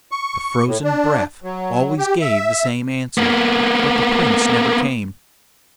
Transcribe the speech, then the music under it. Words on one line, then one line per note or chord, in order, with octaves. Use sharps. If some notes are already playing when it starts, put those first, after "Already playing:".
The frozen breath always gave the same answer, but the Prince never came.
C#6
A2
D4
F#3
G4
E5
A#3 B3